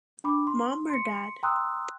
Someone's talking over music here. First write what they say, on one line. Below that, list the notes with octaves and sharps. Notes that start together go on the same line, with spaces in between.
Mom or Dad?
D4 B5 D6
C6
C6 C#7
G5 A#5 C6 D#6 E6 F#6